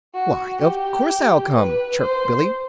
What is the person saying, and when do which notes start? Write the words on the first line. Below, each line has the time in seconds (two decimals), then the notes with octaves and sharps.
"Why, of course I'll come," chirped Billy.
0.14 F#4
0.61 G4
1.54 B4
2.01 C5